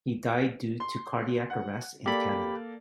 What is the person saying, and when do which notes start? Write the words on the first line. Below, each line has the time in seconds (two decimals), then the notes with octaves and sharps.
He died due to cardiac arrest in Canada.
0.80 C6
1.50 F#5
2.06 A#3 G4 A4 D5 B5